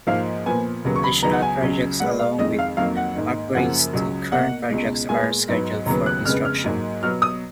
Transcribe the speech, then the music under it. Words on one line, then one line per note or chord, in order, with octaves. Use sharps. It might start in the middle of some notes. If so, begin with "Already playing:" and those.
Additional projects along with upgrades to current projects are scheduled for construction.
G#2 F3 A#3 F5
A#2 F3 B3 G#5
D#2 C#3 F#3 B3
C#6
B5
C#2 C#3 F#3 B3 A#5
F#5
G#5
C#2 C#3 F#3
B2 G#3 B3 F#5
F5
F2 D#3 G#3 D#5
F5
F2 D#3 F#3 A#3 F5
F#5
G#2 D#3 A#3
F#2 C#3 F3 A#3 F#5
C#2 C#3 F#3
B2 A#3 F#5
C#2 B2 G#3
A#2 G#3 B3 G#5
G#2 F#3 B3
D#2 C#3 F#3 B3 A#5
F#6
F2 C#3 G#3 B3 F6
F6
G#2 F#3 A#3
B2 F#3 B3 F6
D#6